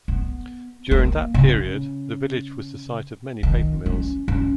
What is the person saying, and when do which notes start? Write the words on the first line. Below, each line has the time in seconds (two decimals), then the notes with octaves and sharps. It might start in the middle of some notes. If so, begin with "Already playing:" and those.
During that period, the village was the site of many paper mills.
0.08 B3
0.91 A#3
1.34 C#3
3.43 D#3
3.86 C#4
4.28 C#4